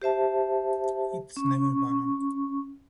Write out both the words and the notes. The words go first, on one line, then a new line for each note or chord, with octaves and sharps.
It is never banal.
G4 C5 E5 A5
C#4 C#6